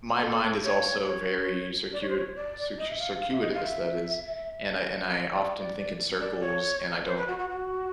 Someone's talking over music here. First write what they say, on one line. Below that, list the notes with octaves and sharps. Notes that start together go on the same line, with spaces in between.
my mind is also very circuit cir circuitous that is, and I and I often think in circles, and I don't,
A4
C#5
C#5
D5
C#5
C5
C#5
D5
D#5
E5
F5
F5
E5
D#5
F5
E5
D5
D5
C#5
C5
B4
F#4
F#4
F#4